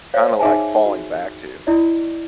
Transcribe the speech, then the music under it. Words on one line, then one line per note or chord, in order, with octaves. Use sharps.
kind of like falling back to
C5 C#5 F5
D#4 G#4 E5 G#5 A5
F#4
E4 D5 D#5